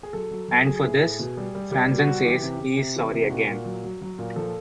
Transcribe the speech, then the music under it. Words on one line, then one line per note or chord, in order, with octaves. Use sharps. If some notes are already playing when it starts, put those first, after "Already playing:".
And for this, Franzen says he is sorry again.
G#4
F#3 A4
F#3
F#3
F#3 G#4
A2
A2
B2
G3
G3
G3 G4
B2
F#4
G3
E3 G4
C3
C3
C3
E3
C3
A#2 F#4
A#2
F#3
F#3
F#3
A#2
F3 A4